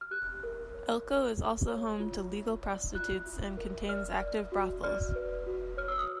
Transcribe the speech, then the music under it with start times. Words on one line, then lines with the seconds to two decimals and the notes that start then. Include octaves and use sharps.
Elko is also home to legal prostitutes and contains active brothels.
0.01 F6
0.11 G4 F#6
0.43 A#4
0.74 C#5
1.06 C#5
1.37 G4
1.69 C#5
2.00 F4
2.31 F4
2.63 D5
2.95 F4 F#6
3.27 F4
3.57 A#4
3.89 D5 F6
4.21 D5
4.52 F#4
4.83 D5 F6
5.15 B4
5.46 F#4
5.77 C#5 F6
5.88 E6
5.98 D#6